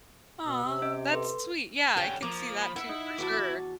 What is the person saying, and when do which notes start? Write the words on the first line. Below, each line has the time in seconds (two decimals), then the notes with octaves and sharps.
Aw, that's sweet. Yeah, I can see that too, for sure.
0.44 B2 E6
0.64 C3
0.82 C#4 D#5 D7
1.13 A4 B4 C6
1.97 D3 C#4 G4 G5
2.23 F3 A#3 D6
2.62 B5
2.76 E4 E5 F#5
2.89 D#4
3.18 E2 F#4 A5 D6